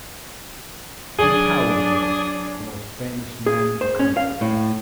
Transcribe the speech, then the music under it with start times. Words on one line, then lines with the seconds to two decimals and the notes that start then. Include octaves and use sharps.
He towers there, the most famous man in the country.
1.19 F#3 D4 G#4 D5 G#5 D#6
3.46 G#4
3.81 C5
3.99 C#4
4.17 F5
4.41 A2